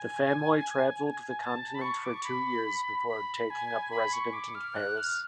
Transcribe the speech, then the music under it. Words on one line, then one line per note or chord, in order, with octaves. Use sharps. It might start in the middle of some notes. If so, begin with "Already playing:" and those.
The family traveled the continent for two years before taking up resident in Paris.
Already playing: G#5
A5
B5
C#6
D6
C#6
B5
B5
G#5
B5
C#6
D6
F6
F#6
F6